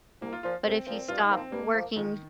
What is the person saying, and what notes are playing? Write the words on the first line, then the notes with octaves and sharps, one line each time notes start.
But if you stop working,
C2 A#3
F4
A#2 F3 F4
C2 C4
A#2 F3 C4
G2 F4
D#4
F3 A#3
C4
G2 A#3
F3 A#3
F2 D#3